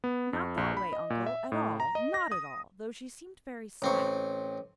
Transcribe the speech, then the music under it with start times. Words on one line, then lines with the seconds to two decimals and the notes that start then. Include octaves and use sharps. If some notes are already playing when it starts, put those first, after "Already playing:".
"Not that way, uncle, at all, not at all, though she seemed very sad."
0.04 B3
0.33 F2
0.57 A#1
0.77 B5
0.93 D#5
1.10 A#2
1.26 E5
1.52 A2
1.80 A#5
1.95 D#5
2.14 A#6
2.32 D#6
3.82 A1 C4 C#6